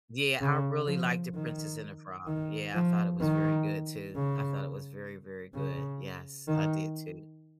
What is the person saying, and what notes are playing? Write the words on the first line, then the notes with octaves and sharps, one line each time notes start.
Yeah, I really liked The Princess and the Frog, yeah, I thought it was very good too, I thought it was very, very good, yes, I did too.
C#3
F3
D#3
D#3
F3
D#3
C#3
C#3
D#3